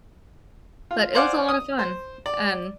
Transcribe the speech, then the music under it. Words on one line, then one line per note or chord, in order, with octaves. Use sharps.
But it was a lot of fun. And
F4
C5 D5 F5 F#5 G#5 D6
D#6
C5
D5